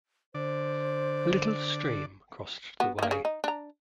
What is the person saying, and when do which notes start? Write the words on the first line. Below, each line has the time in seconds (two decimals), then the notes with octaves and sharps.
A little stream crossed the way.
0.35 D3 C5 D5
2.80 B3 F#4
2.99 D#3 A#3
3.11 C#3
3.25 D#4
3.44 D4 A#5